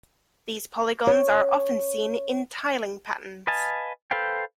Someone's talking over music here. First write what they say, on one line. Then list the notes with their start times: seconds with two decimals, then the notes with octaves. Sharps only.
These polygons are often seen in tiling patterns.
1.07 C#5
3.47 B4 D#5 F5 G#5 A5
4.11 A4 B4 C5 F5 G5